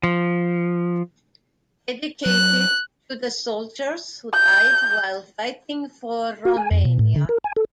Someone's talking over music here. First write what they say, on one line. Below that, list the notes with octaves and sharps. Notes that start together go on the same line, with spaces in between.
Dedicated to the soldiers who died while fighting for Romania.
F3
F#3 F#6
G6
F#4
G#5
F2
B2
A2
D3
A#4
G#5
A4